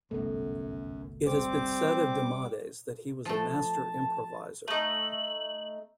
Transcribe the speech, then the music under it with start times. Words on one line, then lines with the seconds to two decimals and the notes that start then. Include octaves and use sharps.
It has been said of Demades that he was a master improviser.
0.11 G1 C2 F#2 B2 A3 B3
1.26 G3 C4 C5 D6
3.25 F3 A3 A5
4.68 A3 D#4 F#7